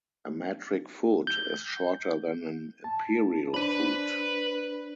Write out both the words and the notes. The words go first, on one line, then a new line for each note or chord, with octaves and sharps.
A metric foot is shorter than an imperial foot.
G6
A5
D4 B4 C5 D5 B5